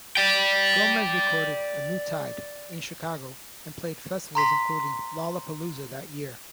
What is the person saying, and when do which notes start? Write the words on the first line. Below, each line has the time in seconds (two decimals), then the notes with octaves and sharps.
Gomez recorded "A New Tide" in Chicago, and played festivals including Lollapalooza that year.
0.17 D5 G5
4.35 A#5 C6 B6